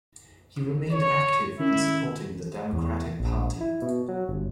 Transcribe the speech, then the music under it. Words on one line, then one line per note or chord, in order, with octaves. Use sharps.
He remained active in supporting the Democratic Party.
C#5
C#6
D#3 C#4 E4 A#4
E2
A#1
E4
B2
F#3
G1